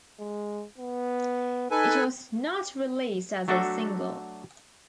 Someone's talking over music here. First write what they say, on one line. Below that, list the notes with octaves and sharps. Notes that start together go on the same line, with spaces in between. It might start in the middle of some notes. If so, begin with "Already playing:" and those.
It was not released as a single.
G#3
B3
D#4 A4 B4 G#5
F#3 A3 D4 F#4 A4 E5